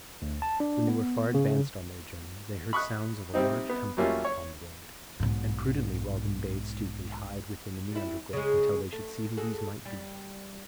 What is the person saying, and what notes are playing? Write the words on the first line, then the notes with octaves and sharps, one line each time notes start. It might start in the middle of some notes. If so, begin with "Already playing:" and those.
When they were far advanced on their journey they heard sounds of a large company upon the road; and prudently Robin bade Stuteley hide with him in the undergrowth until they should see who these might be.
D2
A5
D4
B3
C#3
B5 C#6 D#6 F#6
C3 G3 C4 D#4
B3
F#3 G3 A3 A#3 C#4 F4
C#5
B1 G#2
G3 E4
C#3 G#3
A3
F#4 G#4 A4
G3